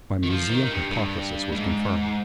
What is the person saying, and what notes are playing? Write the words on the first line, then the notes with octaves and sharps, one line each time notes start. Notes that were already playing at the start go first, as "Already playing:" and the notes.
My museum hypothesis was confirmed.
D#3
F3
D#3
G2
G2
G#2